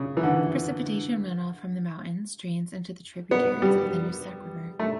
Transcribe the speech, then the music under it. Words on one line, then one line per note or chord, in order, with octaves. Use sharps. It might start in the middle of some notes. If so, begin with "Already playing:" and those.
Precipitation runoff from the mountain drains into tributaries of the Nooksack River.
Already playing: C#3
E3
D3
B3
G3
A3